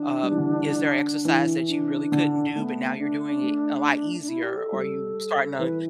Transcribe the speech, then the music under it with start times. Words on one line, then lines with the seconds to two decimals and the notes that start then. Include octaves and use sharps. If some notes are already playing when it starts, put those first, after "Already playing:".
um, "Is there exercise that you really couldn't do, but now you're doing it a lot easier? Are you starting to
Already playing: E3 D4
0.23 G3
0.30 E3
0.38 D3
1.25 E3
1.68 D4
2.12 D3
2.55 A3 B3
2.98 D4
3.42 A3
4.23 D4
4.29 E4
4.43 G4
4.57 A4
4.72 G3
5.59 E3 B4